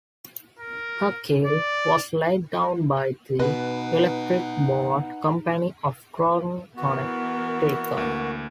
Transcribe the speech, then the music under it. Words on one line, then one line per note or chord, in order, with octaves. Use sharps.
Her keel was laid down by the Electric Boat Company of Groton, Connecticut.
A#4
D5
B2 D#4 B4 D#5 F#5
E3 B3 F#4 A#4
D2 A#3